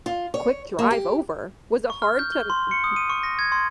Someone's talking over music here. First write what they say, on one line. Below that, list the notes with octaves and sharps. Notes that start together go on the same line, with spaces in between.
quick drive over, was it hard to n n n
F4
C#5
A#3
G4
C#6
F6
G6
G7
C6
C#7
D#6
D#7
C#6
A#6
G#6
C6